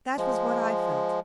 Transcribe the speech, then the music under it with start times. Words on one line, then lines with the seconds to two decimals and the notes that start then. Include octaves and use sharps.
That was what I felt.
0.17 F3 G#3